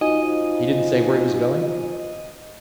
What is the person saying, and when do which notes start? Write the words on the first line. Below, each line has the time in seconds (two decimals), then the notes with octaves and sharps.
"He didn't say where he was going?"
0.01 F3 D#4 F#4 D#5 G#5